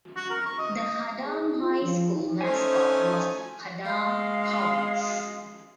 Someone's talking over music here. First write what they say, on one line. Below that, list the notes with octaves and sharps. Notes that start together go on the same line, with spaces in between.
The Haddam High School mascot was Haddam Hounds.
F#4
A#4
C#6
D#5
D#5
G#4
F4
F3
A3 C#4 D#4 C5 G#5
G#3 F5